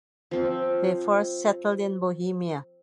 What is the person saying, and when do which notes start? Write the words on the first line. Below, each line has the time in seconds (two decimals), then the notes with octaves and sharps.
They first settled in Bohemia.
0.31 F3 C4